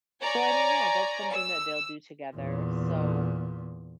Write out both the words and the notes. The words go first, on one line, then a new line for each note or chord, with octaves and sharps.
so I mean, yeah, that's something that they'll do together, so
C#5 D5 G#5 A#5
E6
E2 A#2